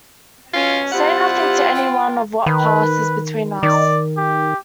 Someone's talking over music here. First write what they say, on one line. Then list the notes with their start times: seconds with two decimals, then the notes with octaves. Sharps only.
Say nothing to any one of what passes between us.
0.54 B2 C#4 F4
0.93 G3 C4 E4 F4 G4 F#5
1.39 G4
1.75 G5
2.46 D#3 B4
3.63 D#3 D5
4.17 G4